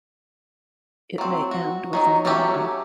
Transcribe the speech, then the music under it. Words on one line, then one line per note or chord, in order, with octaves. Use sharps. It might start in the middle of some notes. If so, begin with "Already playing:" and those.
It may end with a "longa".
F#3 C4
F#4
D#3 F#3 D#4
F#3 A3 C#4 G4 E5